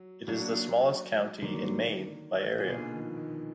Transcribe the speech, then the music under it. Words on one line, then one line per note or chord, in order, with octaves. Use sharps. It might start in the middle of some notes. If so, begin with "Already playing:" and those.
It is the smallest county in Maine by area.
Already playing: F#3
F#3 A#3 D4 F#4
D3 D#3 F#3 A#3
A#2 A#3 F4 G#4
B2
D3
D#3
F3
D#3